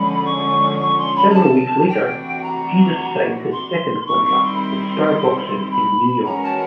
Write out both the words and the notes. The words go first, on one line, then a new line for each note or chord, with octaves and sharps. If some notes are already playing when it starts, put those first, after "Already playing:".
Several weeks later, Jesus signed his second contract with Star Boxing in New York.
Already playing: D3 F3 G#3 C#4 B5
C#6
C#6
C6
B5
A#5
A5
C3 E3 A3 D4 F#4 G5
A#5
C6
D#3 G3 C4 E4 C#6
C#6
C6
B5
C6
B5
E3 G#3 C#4 F#4 A#4 A#5
A5